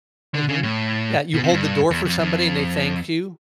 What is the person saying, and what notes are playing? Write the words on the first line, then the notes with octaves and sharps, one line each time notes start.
Mhm, yeah, you hold the door for somebody and they thank you.
D3
C#3
A2
B2
C3
G2
E2
F2
F2